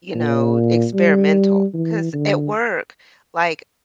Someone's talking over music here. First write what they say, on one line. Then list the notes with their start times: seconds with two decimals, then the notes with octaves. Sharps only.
you know, experimental. 'Cause at work, like,
0.15 A#2
0.94 G3
1.74 E3
2.13 D3